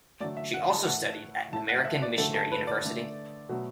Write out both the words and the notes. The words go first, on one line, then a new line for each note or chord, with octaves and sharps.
She also studied at an American missionary university.
D3 F#3 A3 D5
E5
F#5
A5
A2 E3 A3 F#5
A2 A3 A5
F#5
E5
D5
D3 F#3 A3 A4
A4
B4
D5
D3 A3
B2 F#3 A3